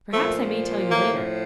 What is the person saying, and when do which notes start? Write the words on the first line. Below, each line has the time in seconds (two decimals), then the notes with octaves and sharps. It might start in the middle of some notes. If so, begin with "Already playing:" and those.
Perhaps I may tell you later.
0.13 A#2 F3 A3
0.92 A2 F3 A#3